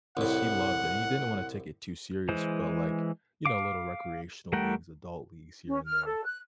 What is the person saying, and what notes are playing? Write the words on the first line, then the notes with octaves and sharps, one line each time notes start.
just he loved it, and he didn't wanna take it too serious, but, like, you know, little recreational leagues, adult leagues here and there.
C2 A2 F#5
E3 G#3 C5
F5 D6
G3 A3 A#4 F#5 G5
C#4
F6
A4
F#6